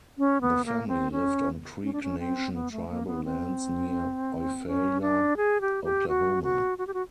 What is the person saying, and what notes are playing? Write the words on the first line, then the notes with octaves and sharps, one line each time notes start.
The family lived on Creek Nation tribal lands near Eufaula, Oklahoma.
C#4
B3
A#3
C4
C#4
C#4
D4
C#4
C4
B3
A3
A#3
B3
C4
C#4
D4
G#4
G4
G4
F#4
F#4
F#4
G4
F#4